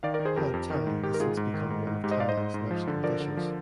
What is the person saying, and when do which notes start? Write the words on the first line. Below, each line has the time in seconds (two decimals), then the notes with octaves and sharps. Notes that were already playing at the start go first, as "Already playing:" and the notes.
Pad thai has since become one of Thailand's national dishes.
0.03 D#3 D5 F5
0.14 A#4 D5
0.20 D#3
0.25 G#4 C5
0.36 F2 G4 A#4
0.54 F2
0.70 D#3
0.87 G#2
1.03 D#3 G4
1.14 A#4
1.20 G#2 F4 G#4
1.37 G#2
1.54 D#3
1.70 G#2
1.87 G#2
2.04 G#2 G4
2.11 C5 D#5
2.20 G#2 D5 F5
2.29 C5 D#5
2.37 G#2
2.54 G#2
2.71 F3
2.87 D3
3.04 F3 A#4 D5
3.20 D3
3.37 F3